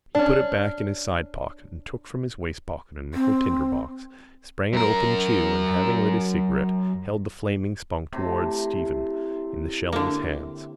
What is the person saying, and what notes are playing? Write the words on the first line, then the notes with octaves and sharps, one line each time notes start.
He put it back in his sidepocket and took from his waistcoatpocket a nickel tinderbox, sprang it open too, and, having lit his cigarette, held the flaming spunk towards Stephen in the shell of his hands.
C#4 D4
C4
F#2 A#4
A2 C3
D3 A#3